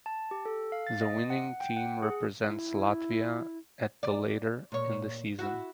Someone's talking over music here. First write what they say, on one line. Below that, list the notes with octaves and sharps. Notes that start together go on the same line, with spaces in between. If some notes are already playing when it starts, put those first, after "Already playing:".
The winning team represents Latvia at the later in the season.
A5
G4
A4
F5
A6
D#5
F#5
G5
F#5
G#4
E4
D5
A#2 C#5
E4 F#4